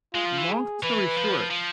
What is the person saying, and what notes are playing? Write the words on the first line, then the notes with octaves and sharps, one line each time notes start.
long story short,
G#3 F4
F3
E3
G#4
E3 B4
F3
F3